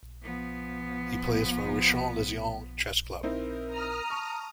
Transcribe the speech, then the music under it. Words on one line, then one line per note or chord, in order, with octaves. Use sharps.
He plays for Rishon LeZion chess club.
F3 B3
C4 D#4 E4 A#4
A#5 D#6 F6
A5 C#6